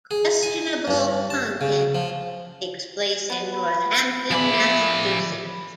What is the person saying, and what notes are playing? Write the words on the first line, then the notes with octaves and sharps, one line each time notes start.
"Questionable Content" takes place in Northampton, Massachusetts.
G#4
G#5
G2
A5
C#3
F3
B3 B4
F3 E4 G#4 D5 B5